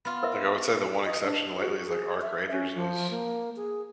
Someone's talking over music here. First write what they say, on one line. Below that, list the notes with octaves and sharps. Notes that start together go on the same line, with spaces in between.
Like, I would say the one exception lately is, like, ARC Raiders was
B3 F4
A#4 B4 E5
D#5
D4
F#4
G#4
E5
C#4
F3
A#3
G#4